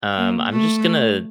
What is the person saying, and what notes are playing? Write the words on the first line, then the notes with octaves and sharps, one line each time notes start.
um, I'm just gonna
A#3
A3